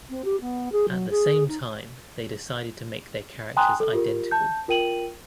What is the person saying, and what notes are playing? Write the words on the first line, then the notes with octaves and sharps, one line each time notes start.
At the same time they decided to make their characters identical.
C4
G4
B3
G#4
F#3
G#4
D#4
G5 G#5 A#5 C6 D#6 F#6
A4
F4 G4 A#4
A5 G6
F4 A#4 G5 D#7 F#7